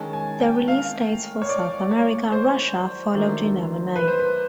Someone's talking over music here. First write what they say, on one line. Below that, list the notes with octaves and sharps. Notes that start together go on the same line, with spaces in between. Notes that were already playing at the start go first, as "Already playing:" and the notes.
The release dates for South America and Russia followed in early May.
Already playing: D#3 G#3 C#4 A5
G#5
G5
F5
C#5
D5
C#5
C5
D#3 F#3 A3 D4
B4
C5
B4